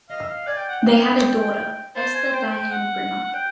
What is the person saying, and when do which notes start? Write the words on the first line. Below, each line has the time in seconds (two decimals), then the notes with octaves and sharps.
They had a daughter, Esther Dianne Brimmer.
0.09 D#5 F5
0.21 E5
0.29 F5
0.46 D5 G#5
0.58 G5
0.68 F#5
0.80 G5
1.96 C5 A5
2.14 G#5
2.33 G5
2.51 G5
2.71 F#5
3.24 F#5
3.34 G5